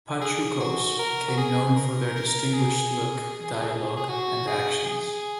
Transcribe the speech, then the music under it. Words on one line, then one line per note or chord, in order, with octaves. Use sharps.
Pachucos became known for their distinguished look, dialogue, and actions.
G#4
F#4
A#4
F#4
G#4
A#4
A#4
G#4
G#4
F#4
G#4
G#4